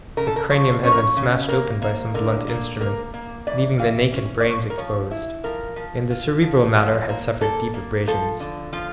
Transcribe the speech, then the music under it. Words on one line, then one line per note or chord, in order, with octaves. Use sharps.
The cranium had been smashed open by some blunt instrument, leaving the naked brains exposed, and the cerebral matter had suffered deep abrasions.
C#3 A#4
A4
A#4
F3 C#5
C#4 C#5
A#4
C#5
C#3
A#3 A#4
A#3
D3 A#4
A#3
A#3 A#4
A#3
E3 D5
E3 F5
C#4
D5
F3 C#5
A#4
F3 C#5
E4
F3 A#4
F3
F4
F3
F3
A#3
A#3 A4
A#3
F3 A4
D3
F3 F4